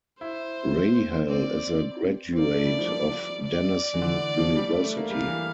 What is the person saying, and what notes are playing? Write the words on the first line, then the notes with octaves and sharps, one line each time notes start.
Rahal is a graduate of Denison University.
E4 C5
C4 D5
C4
A#3 D5
A3
G3
F3
D5
E3
D3
F3
G3
A3
A3
A#3
G3 F5
E3